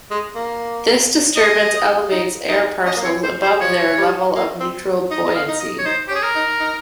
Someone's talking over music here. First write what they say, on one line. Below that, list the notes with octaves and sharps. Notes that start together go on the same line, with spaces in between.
This disturbance elevates air parcels above their level of neutral buoyancy.
G#3
A#3
D#5
D#4
D#4
C#4 D#5
A#3
C4 C#5
C5
G3 C5
F3 C#5
G3
A#3
C4
D#4 D#5
D#5
F5
D#4
D#5
C#5
D#4 C5
C#4 G4
G#4
A#4
D#4
D#4